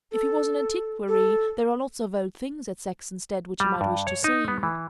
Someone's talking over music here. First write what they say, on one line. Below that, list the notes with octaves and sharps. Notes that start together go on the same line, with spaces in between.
If he was an antiquary, there are lots of old things at Saxonsteade which he might wish to see.
A4
A4
G3
G2
C#5
D#4
B3
E3